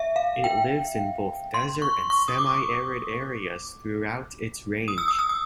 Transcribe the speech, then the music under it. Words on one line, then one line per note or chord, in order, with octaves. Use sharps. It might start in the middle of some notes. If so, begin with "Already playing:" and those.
It lives in both desert and semiarid areas throughout its range.
Already playing: E5
F5
G5
C6
C#6
C#6
D#6
D6
D#6
E6
D#6
E6
D#6